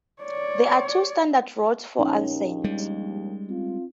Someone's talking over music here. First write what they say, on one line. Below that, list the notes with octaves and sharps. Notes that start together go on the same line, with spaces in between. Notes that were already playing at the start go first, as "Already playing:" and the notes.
There are two standard routes for ascent.
C#5 D5
A#1 D#2 C#4 D#4
G3 G#3
C4 F4